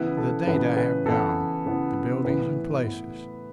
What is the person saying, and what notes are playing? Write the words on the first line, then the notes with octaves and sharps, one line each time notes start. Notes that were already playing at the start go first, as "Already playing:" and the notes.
The data have gone, the buildings and places.
Already playing: C#3 E3 B3 E4 B4
A4
C#3 E3 B3 E4 B4
B4
C#3 E3 B3 E4 A4
C#3 E3 B3 E4
A2 E3 B3 E4 B4
A2 E3 B3 E4